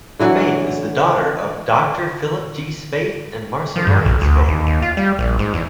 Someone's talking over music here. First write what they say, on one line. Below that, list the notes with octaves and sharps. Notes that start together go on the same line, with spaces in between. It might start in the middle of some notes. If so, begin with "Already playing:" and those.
Spaeth is the daughter of Doctor Philip G. Spaeth and Marcia Ryan Spaeth.
D3 E3 F#3
F3
G2
B1
D2
D#2
D#2
F4
G3
A#1
G#2
E2